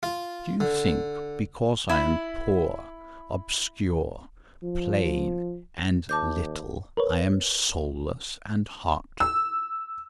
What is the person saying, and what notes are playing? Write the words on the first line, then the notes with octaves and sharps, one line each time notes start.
Do you think, because I am poor, obscure, plain, and little, I am soulless and heartless?
F4
D3
E4 B5 G#6
F3
D#2 A5 D6 G6
A#4 B4 C#5
E6